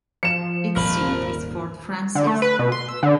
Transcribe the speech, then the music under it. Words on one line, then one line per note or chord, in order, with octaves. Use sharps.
Its seat is Fort Frances.
F3 C#7 E7
D#1 G#1 D#2 A#4 B5
D3
A3
B4
B2
C6
E6
D3